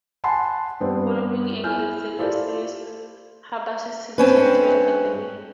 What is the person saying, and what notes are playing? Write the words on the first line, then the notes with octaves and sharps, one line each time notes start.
Following Elixir Studios, Hassabis returned to academia.
F#5 G#5 A5 B5 C6
G2 G3 B3 C4
E4 G#5 F6 G6
E4 F4 G4 A4 C5 D5
G2 C4 C#4 B4